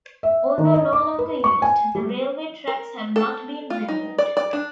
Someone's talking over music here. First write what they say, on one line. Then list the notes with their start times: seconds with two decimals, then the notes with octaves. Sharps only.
Although no longer used, the railway tracks have not been removed.
0.23 E5
0.58 D#3
0.74 D#5
0.93 D6
1.19 B4
1.44 C#6
1.62 G#5
1.95 G3
2.67 A#4
3.16 A4
3.70 F4
3.88 D#4
4.18 D5
4.37 D5
4.53 D4